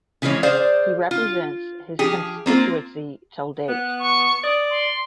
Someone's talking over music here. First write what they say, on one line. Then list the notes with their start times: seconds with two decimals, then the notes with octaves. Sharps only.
He represents his Constituency till date.
0.22 C#3 E3 F3 G#3 C#4
0.43 G#4 C5 D5 F5
1.11 F4
1.99 F3 G4 G#4
2.46 A#3 C4 F4
3.68 B3 F#6
3.99 C#6
4.43 D5 D#6
4.70 C6